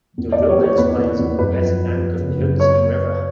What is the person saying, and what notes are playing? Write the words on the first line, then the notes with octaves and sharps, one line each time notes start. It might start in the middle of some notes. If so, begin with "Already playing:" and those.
The village lies on the west bank of the Hudson River.
E2
D5
E2
C#5
E2
C#5
E2 B4
E2
E2
F#2 B4
F3
F3
F3
C#3
F#2
C#5